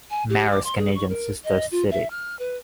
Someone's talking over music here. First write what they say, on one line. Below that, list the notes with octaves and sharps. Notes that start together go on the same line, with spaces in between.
Marie's Canadian sister city.
G#5
G4
D6
C6
G#4
C#6
A#4
D#5
F4
E5
F6
B4